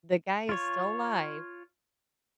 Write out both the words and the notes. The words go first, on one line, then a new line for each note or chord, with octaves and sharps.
the guy is still alive,
F4 C#5